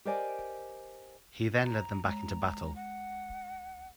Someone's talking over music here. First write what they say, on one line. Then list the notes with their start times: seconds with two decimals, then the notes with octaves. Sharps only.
He then led them back into battle.
0.05 G4 A#4 C5 D5 D#5 G#5
1.65 A#5
2.05 G#3 A#5
2.75 F#5